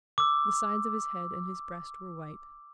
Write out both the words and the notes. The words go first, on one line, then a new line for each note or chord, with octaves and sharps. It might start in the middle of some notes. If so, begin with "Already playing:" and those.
The sides of his head and his breast were white.
D6 E6